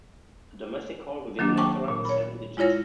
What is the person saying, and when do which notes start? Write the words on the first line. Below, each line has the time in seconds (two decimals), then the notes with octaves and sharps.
A domestic call within Montserrat is seven digits.
1.39 D#3 F#3 A#3 D4
1.57 G5 A5 C#6 D6
1.88 A#2
2.05 C#5 B5
2.57 G#3 E4 F4 C#5 A#6